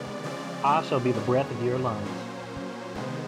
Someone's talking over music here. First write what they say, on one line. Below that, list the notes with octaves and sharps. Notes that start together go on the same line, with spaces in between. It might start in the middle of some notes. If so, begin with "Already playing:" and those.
I shall be the breath of your lungs.
Already playing: C3 D#3 G#3 B3 D5
C#3 F3 G#3 C4 D5
F#2 D#3 G#3 B3 C#5
A#2 F#3 A#3 C#4 C5
C3 D#3 G#3 B3